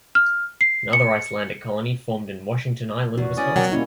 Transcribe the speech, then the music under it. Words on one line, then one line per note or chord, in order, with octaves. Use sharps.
Another Icelandic colony formed in Washington Island, Wisconsin.
F6
C7
C#7
E2 F#4
B3 C#4 D5 D#6
B2 F#3 A#4 F#5 G5
G3 A#3 C#4 E4 C#5 D#5